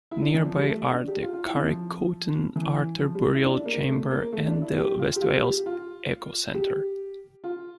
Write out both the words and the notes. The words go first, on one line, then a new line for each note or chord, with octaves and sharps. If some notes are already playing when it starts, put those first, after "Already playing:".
Nearby are the Carreg Coetan Arthur burial chamber and the West Wales Eco Centre.
E4
D4
E3
F3
G3
A3
D4
G4
F4
F4
E4
C4
F3
E3
F3
G3
E4
D4
A#3
A3
A#3
A3
D4
E4
G4
F4
G4
F4
G4
G4
F4
G4
F4